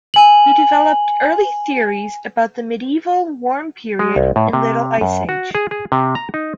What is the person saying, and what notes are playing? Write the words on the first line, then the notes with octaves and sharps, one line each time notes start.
He developed early theories about the Medieval Warm Period and Little Ice Age.
G#5 F#7
G#3
C2
A2
C3
F#2
F#4
G#4
G#4
C3
A#5
D#4